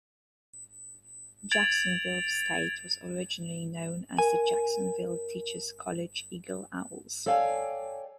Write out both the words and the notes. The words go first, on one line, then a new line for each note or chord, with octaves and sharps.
Jacksonville State was originally known as the Jacksonville Teachers College Eagle Owls.
G#6 A6 D7 F7 F#7
A#4 G#5
A4 C#5 D5 F5 G5 G#5